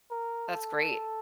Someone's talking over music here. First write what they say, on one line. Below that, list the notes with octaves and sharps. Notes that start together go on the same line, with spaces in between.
That's great.
A#4
A4